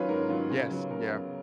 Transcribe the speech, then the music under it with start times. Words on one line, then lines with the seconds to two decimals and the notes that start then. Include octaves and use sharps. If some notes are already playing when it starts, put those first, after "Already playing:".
Yes, yeah.
Already playing: D#3 F#3 C#4 F4 B4 C#5
0.09 G#2 A#4
0.29 D#3 F#3 C#4 F4
0.50 C#3
0.70 F#3 B3
0.90 C#3 A#4
1.11 F#3 B3